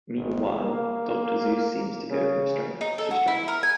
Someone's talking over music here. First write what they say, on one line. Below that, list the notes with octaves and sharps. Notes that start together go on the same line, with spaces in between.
Meanwhile, Dr. Zeus seems to go from strength to strength.
G#1
A#3
C#3
D#4
A4
F#4
E4
A#4
G#5